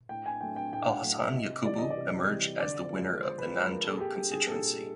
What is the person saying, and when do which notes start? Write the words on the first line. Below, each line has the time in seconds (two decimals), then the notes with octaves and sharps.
Alhassan Yakubu emerge as the winner of the Nanto Constituency.
0.09 A2 G5
0.26 G#5
0.41 F#3 A3 G5
0.56 G5
0.72 A2 G5
0.83 F5
0.88 F#5
1.03 F#3 A3
1.19 E5
1.35 C3 D#5
1.65 E3 G3 D5
1.78 D#5
1.90 D5
1.97 C3
2.28 E3 G3
2.59 D3 D5
2.90 F3 G#3
3.22 D3 C5
3.38 B4
3.54 F3 G#3
3.69 A#4
3.84 A#2 A4
3.93 G#4
4.00 G4
4.16 G3 G4
4.31 G#4
4.47 A#2 A4
4.78 G3